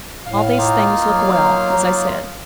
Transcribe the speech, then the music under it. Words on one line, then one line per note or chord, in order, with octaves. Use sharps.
All these things look well, as I said.
A2 F5
A#3 D#4 F4
F#3